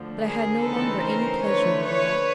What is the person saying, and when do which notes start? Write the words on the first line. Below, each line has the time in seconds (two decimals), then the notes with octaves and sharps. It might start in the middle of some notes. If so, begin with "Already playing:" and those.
But I had no longer any pleasure in the world.
Already playing: D2 D3 F3
0.21 G#4 A#4
0.62 C#3 E3 A3 C4 D#4 A4 B4
1.03 A#4 C5
1.44 D3 F3 A3 B4 C#5
1.85 B4 C#5